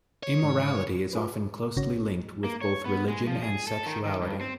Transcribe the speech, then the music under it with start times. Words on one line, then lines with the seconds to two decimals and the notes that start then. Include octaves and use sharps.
Immorality is often closely linked with both religion and sexuality.
0.23 C#5
0.44 G#2
1.13 F4 G#4 B4
1.76 G#1 C#3 C#4 F#4 C#5 A#6
2.44 A#3
2.62 C#5
2.85 B3
3.08 G#3
3.27 F3
3.42 G#4
3.67 A4
3.86 D#3
4.05 D#3
4.22 G2
4.41 C4